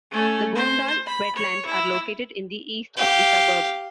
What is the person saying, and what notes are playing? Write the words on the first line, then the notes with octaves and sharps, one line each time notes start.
The Boondall Wetlands are located in the east of the suburb.
A3 C#4
C5
B5
C#5
E4
G4 F5